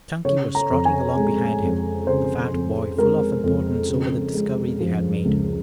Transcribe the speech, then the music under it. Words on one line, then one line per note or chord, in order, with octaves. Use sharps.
Chunky was trotting along behind him, the fat boy full of importance over the discovery they had made.
C#3 C#5
A#5
F2
G#5
G#3
F2
C#3 C5
F2
G#3 A#4
F2
C#3
G#3
F3
C#2